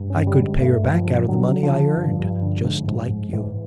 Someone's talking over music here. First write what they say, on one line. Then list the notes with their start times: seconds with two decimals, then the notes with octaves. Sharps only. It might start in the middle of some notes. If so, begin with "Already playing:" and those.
I could pay her back out of the money I earned, just like you.'
Already playing: G2
0.10 C#4
0.15 D3
0.27 G3
0.38 G2 G#3
0.60 G2 A3
0.83 G2
0.95 F3
1.06 D3
1.28 D3 F#3
1.52 D3
1.63 F3
1.74 D3
1.97 G2
2.19 G2
2.42 D3
2.64 G#2
2.88 G#2
3.10 G#2
3.33 G#2 E3